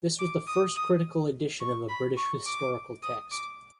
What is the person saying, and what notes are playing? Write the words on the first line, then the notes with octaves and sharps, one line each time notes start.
This was the first critical edition of a British historical text.
D6
D#6
D#6
C#6
B5
C#6
D6
D#6
D6